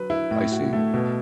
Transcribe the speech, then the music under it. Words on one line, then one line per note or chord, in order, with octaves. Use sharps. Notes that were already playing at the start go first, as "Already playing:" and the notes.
I see.
Already playing: F#3 B4
E4
A2
F#4
A3
B2